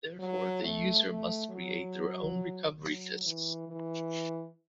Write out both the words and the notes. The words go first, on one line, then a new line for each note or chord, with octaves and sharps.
Therefore, the user must create their own recovery disks.
F#3
A3
A3
F#3
F#3
E3
E3